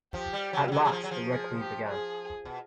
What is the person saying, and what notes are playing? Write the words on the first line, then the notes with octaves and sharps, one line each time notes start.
At last the Red Queen began.
F3 G4
G3
F#3
G3
F#3 G#4
F#3
F3
F#3
F3
G#4
G4
G#4
B2